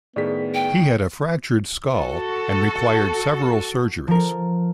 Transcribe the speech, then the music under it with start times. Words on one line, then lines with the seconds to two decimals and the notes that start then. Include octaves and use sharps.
He had a fractured skull and required several surgeries.
0.16 A2 D#3 B3 G#4 D5 B6
0.54 G5
1.94 F#4 A4
4.08 F3 A#4